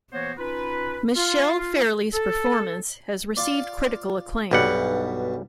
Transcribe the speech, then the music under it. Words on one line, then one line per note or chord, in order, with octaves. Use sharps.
Michelle Fairley's performance has received critical acclaim.
E3 A#3 B3 F#4 C5 C#5
C#4 D#4 F4 B4
F4
A4
F4 D5
B1 G2 B2 G3 F#5